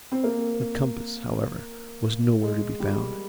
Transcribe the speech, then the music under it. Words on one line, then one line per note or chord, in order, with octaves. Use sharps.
The compass, however, was nowhere to be found.
C4
A#3
G#3
G3